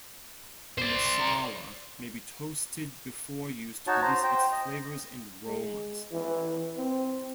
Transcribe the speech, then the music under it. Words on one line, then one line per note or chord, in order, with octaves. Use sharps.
A masala may be toasted before use to release its flavours and aromas.
C5 D5
D#4 F#4 C#5 A5
C5 A#5
C5 G5
D#5
G#3
E3
C4